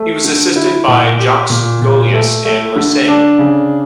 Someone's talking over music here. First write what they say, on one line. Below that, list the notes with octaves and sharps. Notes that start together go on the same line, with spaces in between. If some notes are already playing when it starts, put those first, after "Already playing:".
He was assisted by Jacques Golius and Mersenne.
Already playing: A3
D3
E4
A#2
G4
A#2
A#2
A3
A3
D3
D4
C#3